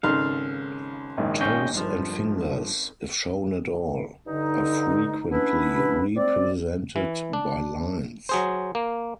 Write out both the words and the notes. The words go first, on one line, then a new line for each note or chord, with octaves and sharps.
Toes and fingers, if shown at all, are frequently represented by lines.
G#1 C#3 D#4 A4 F5 A#5 C6
A#1 G#2 D#3
C#4 D#5 G5
G2 F3
G2 D3 D#4
B3 C#4 D4 E4 B4
C4 D5
E3
D4
F#3 G#4 C5
A#3